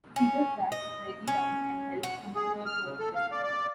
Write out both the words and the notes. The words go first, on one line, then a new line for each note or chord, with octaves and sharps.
Peter tracks Reggie down and helps her move into a hotel.
C#4
D#5
C#4
F#4
G#4
G#3
F6
C#3
A4
F5
D5
D5